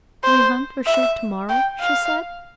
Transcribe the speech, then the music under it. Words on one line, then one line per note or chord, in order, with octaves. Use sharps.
"Do we hunt or shoot to-morrow?" she said.
C5
E5
G5
F5